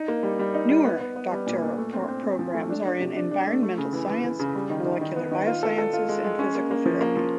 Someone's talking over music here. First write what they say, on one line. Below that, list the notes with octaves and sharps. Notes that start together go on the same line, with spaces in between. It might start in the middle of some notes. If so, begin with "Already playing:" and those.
Newer doctoral programs are in environmental science, molecular biosciences and physical therapy.
Already playing: D#4
A#3
G3
G3
D#4
G3
B3
B3
B3
G3
A#2
A#2
A3
C4
C4
C4
F3
A3
D4
D4
C3
D4
D4
A3
A3
C#3
E3
E3
E3
C#3
G3
D#3
D#3
D#3
B3
D#3
F4
A4
A4
F4
G#3
G#3
C#4
A#3
A#3
F3
A#3
F3